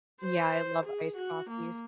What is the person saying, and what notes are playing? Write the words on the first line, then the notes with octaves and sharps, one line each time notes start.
Yeah, I love iced coffees.
C5
G#4
F#4
A#3